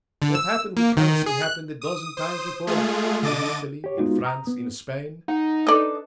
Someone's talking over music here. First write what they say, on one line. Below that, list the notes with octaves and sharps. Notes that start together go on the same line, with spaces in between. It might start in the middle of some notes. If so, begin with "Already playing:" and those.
What happened with Karlson happened a dozen times before--in Italy, in France, in Spain.
D3
E6
A#3
D#3
G#4
F#6
D#6
C5 D#6
G#3 A3 F4 G#4
D3 D#5 D6 A6 D#7
G4 C#5
G#3 B3 D#4 F4 F#4
A#5 D#6
B3
D#4 F#5
D4 A4 B4 D5 D#5